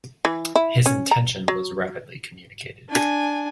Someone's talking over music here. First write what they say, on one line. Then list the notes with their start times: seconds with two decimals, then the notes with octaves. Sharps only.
His intention was rapidly communicated.
0.25 E3
0.56 E4
0.86 C#4
1.11 A#5
1.48 F#3
2.89 D4 G#5